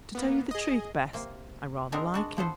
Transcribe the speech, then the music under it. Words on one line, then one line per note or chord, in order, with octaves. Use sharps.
To tell you the truth, Bess, I--rather like him.
A#3 B3
G#4 D#5
C3 A#3
G#3 B3 C4 D4 D#4 A#4
G#3 D4 F#4
F3 B3 A4 C5